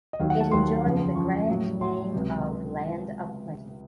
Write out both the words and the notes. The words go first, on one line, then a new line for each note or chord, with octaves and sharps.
It enjoys the grand name of "Land of Plenty".
D#5
D#2 D#3 F#3 F5
F#5
A5
D#2 D#3 F#3 C6
F2 C#3 F3
F2 C#3 F3 C#6
A2 F#3
A2 F#3 C6
C#2 C3 F#3